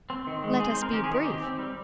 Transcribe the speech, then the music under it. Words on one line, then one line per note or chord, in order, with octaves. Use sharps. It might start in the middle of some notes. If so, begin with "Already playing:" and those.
Let us be brief.
C4
D#3
G#3
C4 G#4
C5
C4
A#4
D#3 G4
G#4
D#3 G4
C4 G4
C4
G3